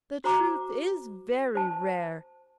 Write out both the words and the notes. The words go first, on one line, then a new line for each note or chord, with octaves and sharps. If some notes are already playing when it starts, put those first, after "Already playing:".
The truth is very rare.
F#4 C5 A#5 D6
C5 A5